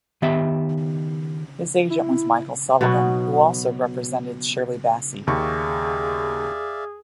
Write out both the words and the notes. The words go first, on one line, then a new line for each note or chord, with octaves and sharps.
His agent was Michael Sullivan, who also represented Shirley Bassey.
D#3 B3 G4 E5
E4
B2 F#3 B3 D#4
D#2 G#4 D5 E5 F5 C#6